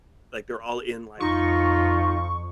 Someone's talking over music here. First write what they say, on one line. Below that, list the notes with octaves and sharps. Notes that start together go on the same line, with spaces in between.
like, they're all in, like,
F2 D#4 F4 C#6